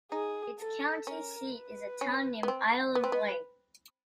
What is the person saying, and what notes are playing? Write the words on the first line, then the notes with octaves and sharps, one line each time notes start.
Its county seat is a town named Isle of Wight.
D#4 G#4
A4
C#4 A#4
B4
C#4
B3
C4
B3 B4
C4
B3